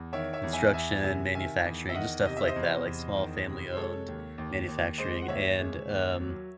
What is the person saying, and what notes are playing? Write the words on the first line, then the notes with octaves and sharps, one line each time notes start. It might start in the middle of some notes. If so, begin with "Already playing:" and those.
construction, manufacturing, just stuff like that, like small family-owned manufacturing and, um,
Already playing: E2
D#3 C#5 E5
C#5 E5
E2
E5 G#5
E2 E5 G#5
C3 E5 G#5
D#3 E5 G#5
E2
E5
D#3 D#5 F#5
C3 D#5
E5
C5 D#5
E2
E2
D#3
C3
C5
G#3 A4 C#5
D#2
D#2
D#2
G#3 C5 D#5
F#5
D#2 C#5 E5
G#3
D#2
F#3